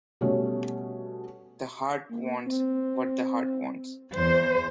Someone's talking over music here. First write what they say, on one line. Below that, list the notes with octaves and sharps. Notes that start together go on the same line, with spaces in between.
The heart wants, what the heart wants.
B2 G3 A3 C#4
A#3
C4
E2 C5